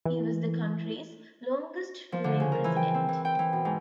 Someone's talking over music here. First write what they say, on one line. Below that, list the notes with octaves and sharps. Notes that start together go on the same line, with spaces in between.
He was the country's longest ruling president.
E3
F3
D3
C#3
A#4
E3
G5
C4
E3
G5
E3
B2
G#2